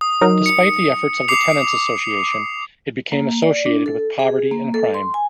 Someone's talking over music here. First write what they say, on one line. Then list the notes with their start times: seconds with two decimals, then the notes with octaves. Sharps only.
Despite the efforts of the Tenants Association, it became associated with poverty and crime.
0.01 D#6
0.21 F#3 D#4 A#4
0.46 C#7
1.28 D6 C7 F7
3.12 A#3
3.42 D5
3.66 D4
3.86 A4
4.19 G#4
4.51 A#3
4.74 A4
4.94 C6
5.14 G#5